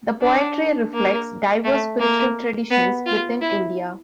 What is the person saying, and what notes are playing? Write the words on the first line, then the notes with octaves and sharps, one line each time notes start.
The poetry reflects diverse spiritual traditions within India.
D4
A#3
A3
A#3
B3
F4
E4